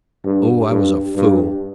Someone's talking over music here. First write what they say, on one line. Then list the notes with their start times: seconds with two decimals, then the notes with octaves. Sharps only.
Oh, I was a fool!
0.25 G2
0.71 G2
1.16 G2